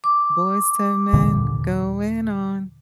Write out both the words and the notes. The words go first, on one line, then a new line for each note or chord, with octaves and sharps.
Boyz II Men going on
D6
D#2 A#2 D3 E3